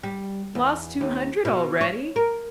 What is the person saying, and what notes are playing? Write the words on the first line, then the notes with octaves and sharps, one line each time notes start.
Lost two hundred already?
G3
E2
D#2
B2
C#5
A#4